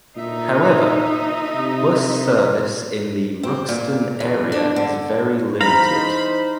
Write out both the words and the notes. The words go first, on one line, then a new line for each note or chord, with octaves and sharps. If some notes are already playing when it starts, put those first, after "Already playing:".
However, bus service in the Ruxton area is very limited.
D2 A#2 D#4 D#5 E5
C3
C4
A#2
E2
D4
D3
E3 D#4 C5 F5 A#5 B5